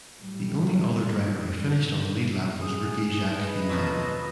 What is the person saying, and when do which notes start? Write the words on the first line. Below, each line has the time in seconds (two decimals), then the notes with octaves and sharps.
The only other driver who finished on the lead lap was rookie Jacques Villeneuve.
0.20 A2 G3
2.62 G#4 D#6
3.38 B4 D#5
3.69 B2 F3 F#3